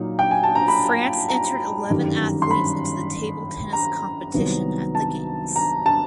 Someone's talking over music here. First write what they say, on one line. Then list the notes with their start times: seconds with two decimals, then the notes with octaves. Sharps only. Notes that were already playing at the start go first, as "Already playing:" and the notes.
France entered eleven athletes into the table tennis competition at the games.
Already playing: A#2 F#3 A#3 D#4
0.19 G5
0.31 G#5
0.43 A5
0.55 A#5
0.68 B5
1.29 A#5
1.90 G1 F#2 D#3 G3
2.42 C6
2.51 B5
3.73 A#5
4.34 C2 C3 D#3 F#3 B3
4.95 A5
5.56 A#5
5.86 A5